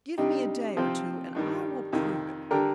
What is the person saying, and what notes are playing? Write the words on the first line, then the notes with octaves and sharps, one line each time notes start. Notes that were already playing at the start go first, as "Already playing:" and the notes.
Give me a day or two and I will prove it.
C3 G3 D4 D#4 G4
C3 F3 C4
G2 D#3 G3
F2 C3 D#3
D3 G3 G4 A#4